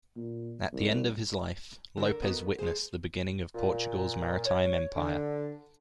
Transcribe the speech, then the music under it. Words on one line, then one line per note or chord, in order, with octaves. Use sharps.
At the end of his life, Lopes witnessed the beginning of Portugal's maritime empire.
A#2
C2
D3 A4 A#4
B3 D#4 F#4
G#4 A4 C5
A#2
C#5
D3